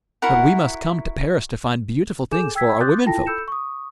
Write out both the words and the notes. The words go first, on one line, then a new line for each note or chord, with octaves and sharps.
"But we must come to Paris to find beautiful things for our women-folk!"
E4 F#4 A#4 F#5
G#4 A4 G#5 D6 G6 E7
G5 E6 G#6 B6
C6 D6 D#6 F#6 G6 A6
E4 F4 A4 G5 A5 A#6
A4 B5 E6 G6 C#7 E7
C#6 D#6